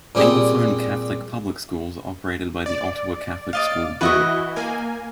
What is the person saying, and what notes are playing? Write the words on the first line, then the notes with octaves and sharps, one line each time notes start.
Anglophone Catholic public schools are operated by the Ottawa Catholic School Board.
A#2 G3 C4 G4 G#4
D5
D5 D#5 F5 A6
E3 E4 F#4 B4 D#5 C#6
A#3 G#5